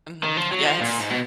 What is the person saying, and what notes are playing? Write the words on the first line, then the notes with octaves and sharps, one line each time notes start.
Mhm. Yes.
D#3
F3
F#3
F3
A#2
G#2
B2